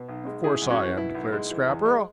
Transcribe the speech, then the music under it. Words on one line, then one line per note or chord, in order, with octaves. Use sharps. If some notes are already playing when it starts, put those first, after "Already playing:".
"Of course I am," declared Scrapper.
Already playing: B2
B1
G#3
C#3 E4 G#4
F#2
C#4 F#4
E3
B2 B3 E4
B1
G#3
E3
E2
G#3